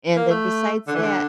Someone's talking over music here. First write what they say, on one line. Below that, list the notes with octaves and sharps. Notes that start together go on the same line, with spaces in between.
And then besides that,
A#3
A3
D3
E3
D3